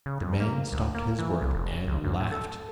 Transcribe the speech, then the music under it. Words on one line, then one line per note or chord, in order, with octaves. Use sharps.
The man stopped his work and laughed.
C#3
F2
A#3
D2
A#3
E3
C2
F1
C#2
F#2
A2
A4